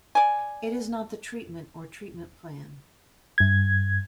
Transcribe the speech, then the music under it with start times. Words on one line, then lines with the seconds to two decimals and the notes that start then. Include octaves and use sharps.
It is not the treatment or treatment plan.
0.15 D5 G#5
3.38 G2 G#6